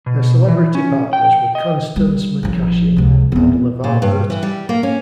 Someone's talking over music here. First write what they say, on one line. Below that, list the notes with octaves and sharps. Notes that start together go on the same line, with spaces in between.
Her celebrity partners were Constance McCashin and LeVar Burton.
B2
E3
C#4
G5
D#5
G3
A1 F3
C#2 C3
E2 C4
A#2
G2
E3
G3
A#3
C#4